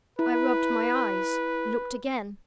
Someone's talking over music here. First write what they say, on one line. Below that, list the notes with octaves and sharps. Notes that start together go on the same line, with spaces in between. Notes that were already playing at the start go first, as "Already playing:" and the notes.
I rubbed my eyes; looked again.
E4 B4